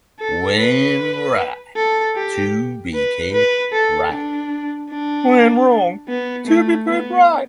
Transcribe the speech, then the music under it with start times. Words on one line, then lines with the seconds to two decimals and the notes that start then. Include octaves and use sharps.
When right, to be kept right; when wrong, to be put right.
0.20 A4
0.59 B4
1.77 A4
2.16 G4
2.94 B4
3.33 B4
3.73 A4
4.12 D4
4.91 D4
6.08 B3
6.47 A3
6.87 B3